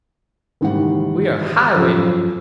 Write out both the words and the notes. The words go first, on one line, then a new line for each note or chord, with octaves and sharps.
We are highwaymen.
F#1 G#2 D#3 E3 G3 F#5
F2 F3 F#3 C#4 C5 E6